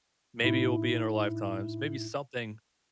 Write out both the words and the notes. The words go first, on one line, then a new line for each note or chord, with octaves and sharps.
Maybe it will be in our lifetimes. Maybe something,
A2 D#4 E4